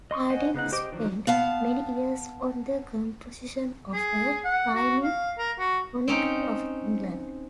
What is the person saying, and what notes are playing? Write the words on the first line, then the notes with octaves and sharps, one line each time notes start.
Hardyng spent many years on the composition of a rhyming chronicle of England.
D#5 C6 C#6 D#6
C5 D#5 F#5 G#5
C#3 B3 D#4 F#5
G4 C5 D#5 D6
D#3 F3 F#3 D4
B3 F5 A5
G#4
F#5
F#4
F5
A#4
F#4
C4 C#4 D#4 G5